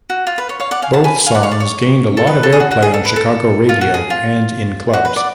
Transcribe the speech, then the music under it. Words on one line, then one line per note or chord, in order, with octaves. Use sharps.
Both songs gained a lot of airplay on Chicago radio and in clubs.
F#4
F4
B4
C#5
C#5 F5
D5 F#5
F5 G#5
F#5 A5
G#5 B5
F5 G#5
D5 F#5
C#5 F5
D5
C#5
A4
B4
A4
G#4
F#4
F#4
G#4
A4
B4
A4
F4
F#4
G#4
F4
F#4
B4
D5 F#5